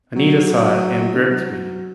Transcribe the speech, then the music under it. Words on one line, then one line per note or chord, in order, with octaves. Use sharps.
Anita saw it and gripped me.
F#3
D3
E3
F#3